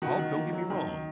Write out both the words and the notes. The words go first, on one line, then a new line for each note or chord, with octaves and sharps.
Oh, don't get me wrong,
D#3 F#4
D#3
A#3
F#3
D#3
D#3